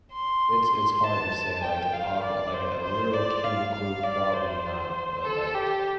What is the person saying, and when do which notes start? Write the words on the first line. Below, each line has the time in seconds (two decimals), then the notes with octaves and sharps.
it's it's hard to say, like, an off like, a literal cubicle, probably not, but, like,
0.12 C6
1.04 A5
1.63 G5
1.93 F5
2.23 D5
2.53 C5
2.84 C5
3.13 D5
3.44 F5
3.73 F5
4.04 D5
4.34 C5
5.24 A4
5.54 G4